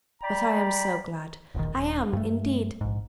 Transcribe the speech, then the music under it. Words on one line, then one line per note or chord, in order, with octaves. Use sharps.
But I am so glad; I am, indeed.
D5 G5 A#5 B5
E1 A#1 D#3
D#1
G2 A3
A#1 G#2